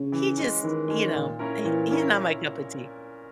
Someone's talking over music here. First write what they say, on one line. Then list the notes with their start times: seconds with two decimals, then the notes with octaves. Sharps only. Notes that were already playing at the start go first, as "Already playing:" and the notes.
he just, you know, he he's not my cup of tea.
Already playing: C#3
0.12 E3
0.38 G#3 C#4
0.63 D#3 E3
0.88 G#3 C#4
1.15 A#2
1.39 A#3 C#4 E4 A#4
1.65 A#2 E3
1.91 A#3 C#4 E4 A#4